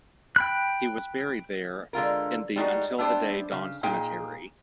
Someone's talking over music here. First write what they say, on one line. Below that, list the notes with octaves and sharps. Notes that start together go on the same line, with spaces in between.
He was buried there in the Until the Day Dawn Cemetery.
G5 B5 F#6
D3 G#3 F4 A#4
G3 G#3 D#4 F#4
A3 B3 D4 G4 C5
C#3
A#2 D#4 G#4 G5